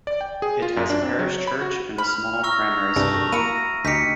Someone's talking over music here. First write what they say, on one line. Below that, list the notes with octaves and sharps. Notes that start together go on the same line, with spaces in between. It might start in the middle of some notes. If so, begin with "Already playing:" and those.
It has a parish church and a small primary school.
D5
G5
G#4
F4
F#2
D4
C4
F#3
C#5
B5
F#4
B5 F6
A#5 C#6 E6 F6
C2 G2 G3 A3
A#3 E4 F#4 D7 D#7
D2 D#4 G4 D#5 B6 C#7